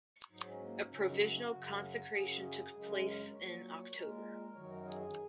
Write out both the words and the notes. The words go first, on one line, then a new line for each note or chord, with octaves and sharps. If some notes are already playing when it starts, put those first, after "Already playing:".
A provisional consecration took place in October.
G#2 F#3 D#4
C#4
A#3
C#4
F#2 C#3 F#3 C#4
D#4
F#4
F#4
F#2 C#3 F#3
F#2 C#3 F#3 G#4
G#4
F#2 C#3 G#3
A#4
A#2 F#3 C#5
A#2 G#3 A#4
F#2 D#3 F#3 C#5
A#4
G#4